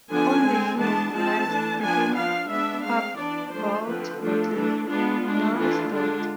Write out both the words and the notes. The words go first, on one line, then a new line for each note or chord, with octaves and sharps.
On the hill lies the famous "Parbold Bottle", now restored.
D3 F3 B3 D4 G#5
G#3 C4
E3 G#3 B3 D4 A5
F3 G#3 C4 A5
E3 A3 D4
F3 B3 D4 G#5
F3 B3 D4 F5
G#3 B3 D4 E5
G#3 C4 F5
E3 B3 D4 D5
F3 A3 D4 C5
D3 F3 A3 C4 B4
F3 A3 D4 A4
E3 A3 D4
G#3 B3 D4 F4
G#3 D4
E3 A3 D4 F4
D3 G#3 D4 F4